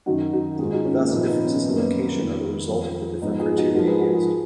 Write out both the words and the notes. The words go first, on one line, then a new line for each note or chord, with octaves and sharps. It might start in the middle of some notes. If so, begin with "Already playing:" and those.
Thus, differences in location are the result of the different criteria used.
F#2 D#3 D#4 F#4
D#4 F#4
G#2 D#3 F4 G#4
D#4 F#4
C#4 F4
A#3 C#4
A#2 F3 B3 D#4
B3 D#4
C#4 F4
F#2 D#3 B3
A#3
B3
B3
F2 D#3
F2 F3
G#2 F3 B3 D#4
F4 G#4
D#4 F#4
G#2 F3 F#4 A#4
G#4 B4
F#4 A#4
F4 G#4